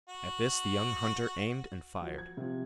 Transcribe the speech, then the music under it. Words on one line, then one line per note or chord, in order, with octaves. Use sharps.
At this the young hunter aimed and fired.
F#4
F3 F#4
G#6
C3 F3